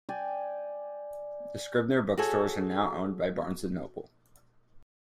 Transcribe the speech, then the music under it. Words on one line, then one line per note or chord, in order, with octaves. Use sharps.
The Scribner Bookstores are now owned by Barnes and Noble.
D5 G5 G#5
F#4 G#4 A4 C#5